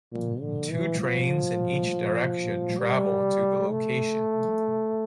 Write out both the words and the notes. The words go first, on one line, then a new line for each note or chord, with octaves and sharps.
Two trains in each direction travel to the location.
A#2
D3
E3
F3
G3
A3